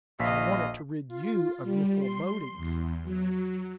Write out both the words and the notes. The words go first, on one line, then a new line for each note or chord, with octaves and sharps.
I wanted to rid you of your forebodings.
A#1 D#5 F5 B6
F4
G3
C6
E2
F#3